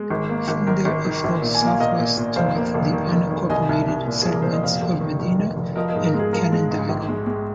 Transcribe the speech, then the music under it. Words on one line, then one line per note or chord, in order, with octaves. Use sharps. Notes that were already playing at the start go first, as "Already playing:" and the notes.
From there it flows southwest toward the unincorporated settlements of Medina and Canandaigua.
Already playing: G#3
G#1
A#3
G#1
G#1 A#4
G#1
D#3
A#1
A#2
G#5
A#3
F5
A#2 A#4 D#5
A#2
A#2
F1 C5 F5
A#3
F1
D#3
F1
D#3
C2 D#5 G#5
C2
C2
A#2
C2 G#4
A#4
A#2 C5
D#5
F1 C5 F5
F1
D#3
F1
F1
F1
F3 A#4 D#5
A#4 D#5
G#2
A#4
G#3 G#4
F3 A#4
G#3
G#2
A#1
G#3
G#3